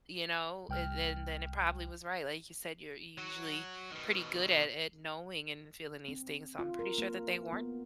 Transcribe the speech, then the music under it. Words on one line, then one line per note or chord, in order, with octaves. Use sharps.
you know, it then then it probably was right, like you said, you're usually pretty good at at knowing and feeling these things, so, I'm pretty sure that they weren't
C2 G5 F6
F#3 F#4
B2 D#3
C4
F4
A#4
A#3
B3